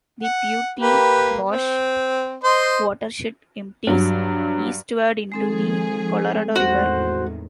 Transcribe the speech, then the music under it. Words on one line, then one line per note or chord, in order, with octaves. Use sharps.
The Piute Wash Watershed empties eastward into the Colorado River.
F#5
A#3 G4 B4
C4
C5 D#5 C6
G2 F#3
D#3 F3 G#3 C4 G#4 A4
E2 A2 D#3 F#4 C5